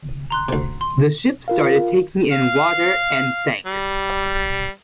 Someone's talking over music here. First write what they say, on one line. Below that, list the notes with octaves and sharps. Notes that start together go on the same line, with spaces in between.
The ship started taking in water and sank.
A#5 C6 F#6
D2 C3
C6
F4 A#4 F5
F5
G3